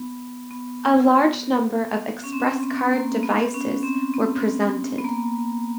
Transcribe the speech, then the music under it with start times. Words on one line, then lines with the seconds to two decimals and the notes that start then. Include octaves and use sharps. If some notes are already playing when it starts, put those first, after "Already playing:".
A large number of ExpressCard devices were presented.
Already playing: B3
0.51 B3
2.24 C#4
2.32 C4
2.63 B3
2.93 A#3
3.23 B3
3.54 C#4
3.83 C4
4.14 B3
4.98 B3
5.04 A#3